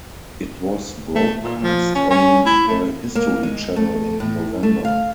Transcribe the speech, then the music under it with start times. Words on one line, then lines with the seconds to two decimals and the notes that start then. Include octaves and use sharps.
It was broadcast on the History Channel in November.
1.15 A3
1.43 A#2
1.63 F3
1.95 C#4
2.10 C#4
2.46 E4
2.68 A3
3.15 A#3
3.43 G#3
3.76 A3
4.20 A2
4.63 A3
4.85 F5